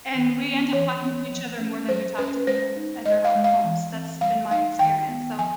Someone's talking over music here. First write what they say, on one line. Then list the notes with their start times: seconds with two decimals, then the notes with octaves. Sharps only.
And we end up talking to each other more than we talk to people at their ho homes. That's been my experience, so
0.15 D#3
0.44 B3
0.73 E3 C#5
1.02 B3
1.31 F3
1.60 C#4
1.89 F#3 C5
2.19 C#4 B4
2.47 G#3 C5
2.76 D#4
3.05 G#3 D#5
3.25 F5
3.35 G#3
3.44 F5
3.64 E3
3.92 C4
4.21 G3 F5
4.51 D#4 F5
4.79 D#3 G5
5.08 B3
5.37 F3 G#5